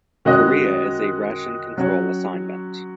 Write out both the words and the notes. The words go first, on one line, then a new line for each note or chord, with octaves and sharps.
Korea is a ration control assignment.
D#3 G#3 C#4 F#4 D#5
F#3 C#4 F#4 C#5